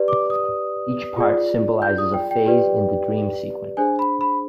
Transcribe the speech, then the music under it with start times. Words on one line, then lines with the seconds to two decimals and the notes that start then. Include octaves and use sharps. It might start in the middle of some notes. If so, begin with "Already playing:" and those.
Each part symbolizes a phase in the dream sequence.
Already playing: G4 B4 D5
0.08 D6
0.30 D#6
1.16 F4 G#4 D5
1.82 G6
1.98 D#6
2.14 G5
2.31 G5
2.46 G4 B4 D5
3.77 D4 G#4 C5 G#5
3.99 B5
4.21 B5